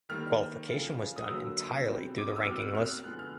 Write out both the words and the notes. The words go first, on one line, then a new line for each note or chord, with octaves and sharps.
Qualification was done entirely through the ranking list.
D#3 G3 A#3 F6
C#3 F3 A3
D#6
D3 F#3 A#3 E6
B2 G3 C4
D6
D#6
E6
B2 G3 C4 F6
F#6
F6
F#6
D3 F3 G#3 B3 F#6
F6